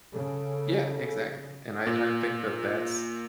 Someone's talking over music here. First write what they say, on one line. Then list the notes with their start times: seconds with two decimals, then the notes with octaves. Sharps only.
Yeah, exactly, and I I think that that's
0.13 C#3 A4
1.87 A#2